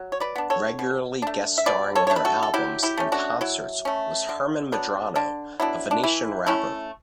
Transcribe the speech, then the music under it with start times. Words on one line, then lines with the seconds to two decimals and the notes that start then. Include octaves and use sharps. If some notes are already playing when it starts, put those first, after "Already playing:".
Regularly guest-starring on their albums and concerts was Herman Medrano, a Venetian rapper.
Already playing: F#3
0.12 C#5
0.20 B4 D5
0.36 B3 D4
0.50 A4 C#5
0.79 B2
1.22 A3 D4
1.58 E5
1.66 B2 B4 D5
1.95 A4 C#5
2.07 A3 D4 C#5
2.16 B4
2.25 F#4 A4
2.43 A4
2.54 F#3 E4 G4
2.83 E4 G4
2.98 A3 C#4
3.12 D4 F#4
3.41 F#3 E4
3.85 A3 C#4
4.29 D3
4.72 F#3 B3 D4
5.16 D3 D4
5.60 F#3 B3 D4 E4
5.91 D4
6.04 E3 E4
6.46 A3 C#4 E4